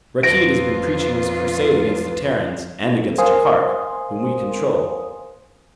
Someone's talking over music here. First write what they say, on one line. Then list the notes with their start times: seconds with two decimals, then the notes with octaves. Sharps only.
Rakkeed has been preaching this crusade against the Terrans, and against Jaikark, whom we control.
0.23 F2 F4 B4 A#6 D7
3.18 A#4 C5 F5 G#5 C6 D#6